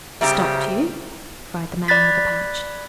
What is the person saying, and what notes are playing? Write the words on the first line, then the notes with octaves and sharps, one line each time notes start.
"Stopped you?" cried the man with the patch.
C#3 G3 C4 G4 E5 A#5
D5 B5 F#6 A6 B6